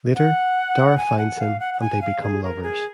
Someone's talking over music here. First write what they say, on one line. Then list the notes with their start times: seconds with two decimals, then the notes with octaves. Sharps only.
Later, Dara finds him, and they become lovers.
0.15 F#5
0.97 G#5
1.18 F#5
1.39 F5
1.60 F#5
1.74 F#5
1.80 G#5
2.02 F5
2.23 G#4
2.44 A#4
2.63 G#4